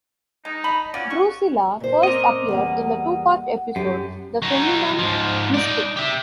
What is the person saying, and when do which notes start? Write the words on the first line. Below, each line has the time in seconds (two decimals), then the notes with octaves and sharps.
Drusilla first appeared in the two-part episode "The Feminum Mystique".
0.45 G#3 D#4
0.64 D#5 A5 B5
0.94 C#4 F4 F#4 D5
1.10 F#4 C#6
1.80 A#2 C5
2.03 C4 A#4 D#5 D6
2.49 E2 G3 A#3 F#5
3.76 F#2 G4 A4
4.42 F#3 D#4
4.99 G#2 F3
5.54 D#4 D5
5.97 G4 E5